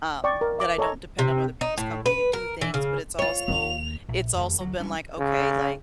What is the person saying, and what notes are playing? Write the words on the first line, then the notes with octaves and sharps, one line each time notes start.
um, that I don't depend on other people's company to do things, but it's also it's also been like, "Okay." Like,
D5 G5 C#6
A#4
E5 D6
A4 C#5 D#5 G#5 A#5
C3
D#4
A2
B4
A#4
E3
C#3
F4 C#5 F7
D#2 A#3
A#1
D#1 F2 A3
D2 F#3
G3 C#4 D4
C#3